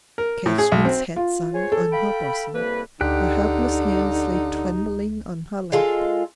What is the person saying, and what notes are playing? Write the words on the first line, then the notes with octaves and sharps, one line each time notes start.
Catherine's head sank on her bosom; her helpless hands lay trembling on her lap.
A#4
A2
G#4
B1
C4
F4
G#4 C5 C#5
A4
F5 G5 B5
C2 A#3 B4
D2 D3 D#4 G4 G5 F#6
G#3 F4 A4